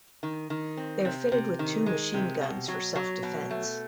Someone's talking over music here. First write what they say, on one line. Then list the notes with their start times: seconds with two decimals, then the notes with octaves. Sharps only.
They are fitted with two machine guns for self-defence.
0.23 D#3
0.50 D#3
0.77 C4
1.05 C3
1.32 C3
1.59 D#3
1.86 G#3
2.14 C3
2.41 B2
2.68 F#3
2.96 F#3
3.23 B2
3.50 A3